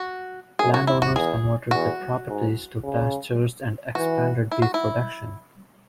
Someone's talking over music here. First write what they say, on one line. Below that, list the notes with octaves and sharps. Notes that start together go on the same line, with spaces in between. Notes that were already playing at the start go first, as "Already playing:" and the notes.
Landowners converted their properties to pastures and expanded beef production.
Already playing: F#4
F#2 G#4
F#4
E4
F#4
E2 G#4
E2 F#4
G#2
C#3
E3 F#4
E4
F#4
E4